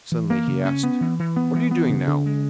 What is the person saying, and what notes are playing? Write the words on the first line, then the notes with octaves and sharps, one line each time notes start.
Suddenly he asked: "What are you doing now?"
E3
A#3
C#3
C#4
B3
E3
E3
B3
E3
B3
C#3
C#3
G#3